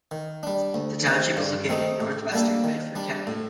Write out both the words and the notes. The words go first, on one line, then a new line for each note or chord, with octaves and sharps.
The township is located in northwestern Bedford County.
D#3
G3 D4
D2
C3 D#3
G2
D#3 A3 C4 D#4
A2
G3 A#3 D4 A4
D#3
G3 D4
A2